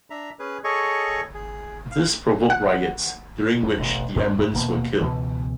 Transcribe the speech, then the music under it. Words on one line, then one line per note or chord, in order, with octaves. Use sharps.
This provoked riots during which the Ambans were killed.
D4 E5 A#5
C#4 G#4 B4
G#4 A4 C#5 D#5 C#6
G#4
F5
F#5
F2 F#3
E1 A1
F2 G#2 C4 D4
F#2
D#1 B2 A#3
C#2 B2 E3